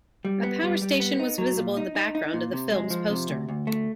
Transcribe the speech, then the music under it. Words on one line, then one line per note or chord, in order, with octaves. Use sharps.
A power station was visible in the background of the film's poster.
G3
B3
G3
G3
B3
D#4
F#3
A#2
D#4
D#4
D#4
A#2
C3
G#3
F3
C3
D2
D2
A3